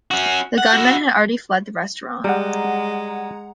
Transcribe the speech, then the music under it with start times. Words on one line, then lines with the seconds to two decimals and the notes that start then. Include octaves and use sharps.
The gunmen had already fled the restaurant.
0.11 C#4 F#4
0.58 F#5
0.73 E4 F#4
2.24 G3 G#3 F#5 A#5